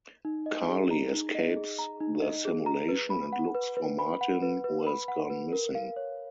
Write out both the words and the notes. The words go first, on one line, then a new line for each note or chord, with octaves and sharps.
Carly escapes the simulation and looks for Martin who has gone missing.
D#4
D#5
G#4
A#5
D#4
D#5
G#4
A#5
D#4
D#5
G#4
A#5
B4
B5
F#5
B4
B4
B5
F#5
B4
B4
B5
F#5
B4
A#4
F5
C#5